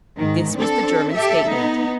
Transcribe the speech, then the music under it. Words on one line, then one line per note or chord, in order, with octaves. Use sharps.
This was the German statement.
G#2 D#3
C4 D4 A4
G4 A4 E5
B3 D#4